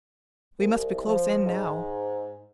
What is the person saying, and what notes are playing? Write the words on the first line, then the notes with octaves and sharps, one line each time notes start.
We must be close in now!
C2
F3
G#2